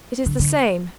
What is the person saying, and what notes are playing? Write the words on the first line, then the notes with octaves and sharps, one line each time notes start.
"It is the same."
D3
D3